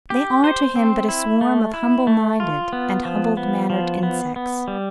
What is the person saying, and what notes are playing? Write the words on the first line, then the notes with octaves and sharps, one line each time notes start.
They are to him but a swarm of humble-minded and humble-mannered insects.
G4
C5
C4
E4
A3
E4
A3
F4
B3
F3
B3
F3
B3
B3
G3